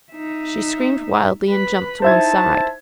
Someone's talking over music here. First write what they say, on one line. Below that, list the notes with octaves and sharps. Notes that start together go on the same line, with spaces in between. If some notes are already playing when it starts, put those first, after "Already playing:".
She screamed wildly and jumped to one side.
D#4 E5
B4 B5
D#4 E4 C5 E5 A5 G#6